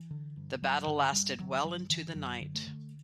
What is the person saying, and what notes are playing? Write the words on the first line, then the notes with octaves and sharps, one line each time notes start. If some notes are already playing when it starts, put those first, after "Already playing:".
The battle lasted well into the night.
Already playing: E3
D3
G2
G2 F#3
G2 D3
G2 G3
D3 F#3
G2 F#3
D3 E3
F#2 F#3
D3
A3
D3